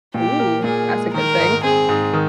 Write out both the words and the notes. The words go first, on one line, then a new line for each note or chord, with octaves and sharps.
Ooh, that's a good thing.
A#2 G4
A#4
A#2 G#4
G#3
D#3 A#4
G#2
C4 G#4
G#2
D#3